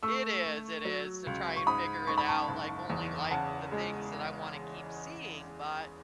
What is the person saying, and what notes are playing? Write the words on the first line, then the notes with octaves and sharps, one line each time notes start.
It is, it is to try and figure it out, like, only like the things that I wanna keep seeing, but
A3 C#6 E6
A3
F#3
C#2
C#6
G#2 B5 D#6
G#2 C#6
B5
A5 C#6
F#1
E2
C#3 F#5 A5
G#3